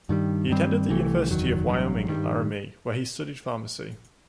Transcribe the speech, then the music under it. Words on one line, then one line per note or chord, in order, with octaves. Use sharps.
He attended the University of Wyoming in Laramie, where he studied pharmacy.
G2 D#3 G3
G2 D#3 G3 C4
C2 C3 E3 A3
F#1 E2 D#3 F#3
A1 G2 F#3
G2 D#3 G3